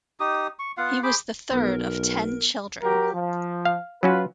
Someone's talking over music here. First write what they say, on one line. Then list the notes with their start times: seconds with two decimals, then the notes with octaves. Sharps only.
He was the third of ten children.
0.20 D#4 G4 D#6
0.59 C#6
0.77 B3 F4 F5 F#5
1.03 G#4 C5 B5 D6
1.51 B1 B3 A#4
2.82 F#3 G4 A#4
3.13 F3
3.65 F5
4.03 F#3 C#4 F4 F#4 B4